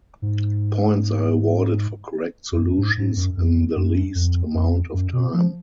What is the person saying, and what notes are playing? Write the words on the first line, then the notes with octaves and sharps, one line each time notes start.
Points are awarded for correct solutions in the least amount of time.
G#2
F2
F#2
G#2
G#2
F#2
F2
F#2
F2
F2
F#2
B2
F3